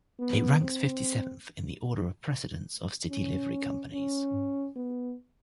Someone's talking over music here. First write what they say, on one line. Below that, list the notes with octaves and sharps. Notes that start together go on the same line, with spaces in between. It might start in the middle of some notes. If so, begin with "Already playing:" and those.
It ranks fifty-seventh in the order of precedence of City Livery Companies.
B3
C4
C#4
C#4
B3